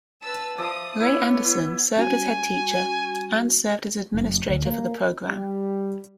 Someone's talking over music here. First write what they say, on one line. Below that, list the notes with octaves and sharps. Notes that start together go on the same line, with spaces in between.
Ray Anderson served as Head Teacher and served as administrator for the program.
B4 A5 E6
F3 D5 E5 A5 D#6
B3 E4 C#5
E4
G3 C#4 F#4 G#5
F#1
D2
A#3
G3